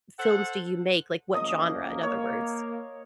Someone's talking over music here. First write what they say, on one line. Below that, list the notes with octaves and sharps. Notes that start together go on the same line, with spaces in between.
films do you make? Like, what genre, in other words?
A4 C5 F#5
C#3 F3 A#3 D#5 D#6
A#3 C#5